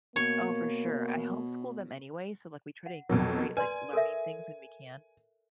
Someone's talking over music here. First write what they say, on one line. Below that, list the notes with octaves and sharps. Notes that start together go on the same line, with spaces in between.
Oh, for sure. I homeschool them anyway, so, like, we try to incorporate, like, learning things when we can,
B2 A#3 C#5
F#5
F2 B2 F#3 A#4
B4 D5 G#5 C6
A4 A#4 E5